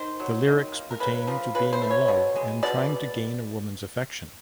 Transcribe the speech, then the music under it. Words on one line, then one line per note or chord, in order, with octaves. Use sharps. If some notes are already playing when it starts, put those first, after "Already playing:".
The lyrics pertain to being in love and trying to gain a woman's affection.
Already playing: D#3 C5
F#3
D#3
A#3
A#4
C#3 B4
F3 A#4
C#3 B4
C5
A3
C#5
B2
G#3
B2 D5